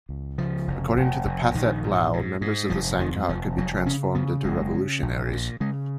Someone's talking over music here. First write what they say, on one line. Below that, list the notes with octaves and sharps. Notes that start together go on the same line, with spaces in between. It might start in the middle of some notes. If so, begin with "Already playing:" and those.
According to the Pathet Lao, members of the Sangha could be transformed into revolutionaries.
C#2
C#3 F3
F1
F1
F1
A#1 D#3
G#2
G#2
G#2
F1 F3
F2 D#3
F1 F3
F1 F#3
C#3 C#4
C#3 B3
F#1 G#3
C#3
A#1
A#2
C#3 G#3